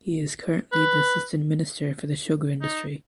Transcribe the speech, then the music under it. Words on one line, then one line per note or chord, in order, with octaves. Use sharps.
He is currently the Assistant Minister for the Sugar Industry.
B4
D#4